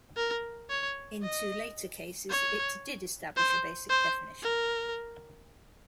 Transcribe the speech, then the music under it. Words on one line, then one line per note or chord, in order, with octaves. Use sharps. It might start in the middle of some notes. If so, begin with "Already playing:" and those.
In two later cases, it did establish a basic definition.
A#4
C#5
D#5
C#5
C5
C5
A#4